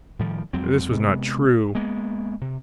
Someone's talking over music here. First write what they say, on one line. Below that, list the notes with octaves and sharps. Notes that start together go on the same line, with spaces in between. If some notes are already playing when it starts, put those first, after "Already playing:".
This was not true.
A2 D#3 F3 G3
F2 F#3 G#3 C4
C3 G#3 B3
G#3 A#3 B3
C3